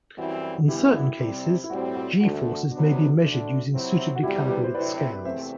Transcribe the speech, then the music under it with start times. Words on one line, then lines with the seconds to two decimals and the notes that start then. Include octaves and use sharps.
In certain cases, g-forces may be measured using suitably calibrated scales.
0.18 F#2 E3 G3 C4 E4 F#4
0.68 G2 E3 B3 E4 G4
0.94 E4
1.19 C3 G3 C4
1.64 E4
1.70 A2 G3 C4 F#4
1.95 F#4
2.21 D2 D3 A3 F#4
2.71 C3 F#3 B3 D4
3.22 D2 D3 A3 D4
3.73 C3 F#3 C4 E4
4.16 F#4
4.23 E2 C3 G3 E4 G4
4.48 G4 B4
4.64 C5
4.74 D2 C3 F#3 C4 E4 B4 D5
5.25 E2 C3 E3 A3 C4 C5 E5